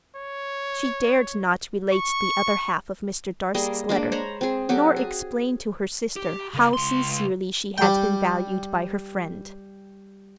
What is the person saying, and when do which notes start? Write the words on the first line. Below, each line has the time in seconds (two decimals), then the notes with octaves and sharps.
She dared not relate the other half of Mr. Darcy's letter, nor explain to her sister how sincerely she had been valued by her friend.
0.16 C#5
1.93 C#6
3.54 G3 A#3 G#4 D#5
3.89 G#3 A#3 D4
4.12 C5 C#5 A#5 B5
4.41 C4 G#4
4.69 F#3 F#4 G4 A4
4.96 G#4
6.16 G4
6.54 C#3 A#4
6.73 C#2 C6
7.78 G3 G5